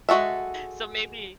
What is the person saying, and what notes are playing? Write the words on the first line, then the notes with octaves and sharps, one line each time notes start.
So, maybe
G#3 F#4 A4 E5